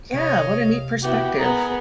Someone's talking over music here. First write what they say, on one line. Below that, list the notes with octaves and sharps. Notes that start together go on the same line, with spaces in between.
yeah, what a neat perspective.
C3 C#5 D#5 F5
B3 E4 F#4 G4
B3 G#4 A#4 A#5